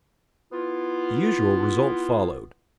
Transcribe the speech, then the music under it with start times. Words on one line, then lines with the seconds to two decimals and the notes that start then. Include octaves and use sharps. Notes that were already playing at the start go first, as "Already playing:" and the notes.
The usual result followed.
0.52 B3 E4 F4